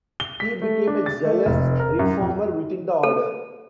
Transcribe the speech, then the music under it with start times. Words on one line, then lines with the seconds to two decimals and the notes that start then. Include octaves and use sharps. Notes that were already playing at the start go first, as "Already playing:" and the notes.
He became a zealous reformer within the Order.
0.20 G7
0.40 B6
0.62 A3
0.87 D4
1.06 A6
1.25 A3
1.46 F1
1.80 A#4
1.99 F#2
2.21 F2
3.03 A4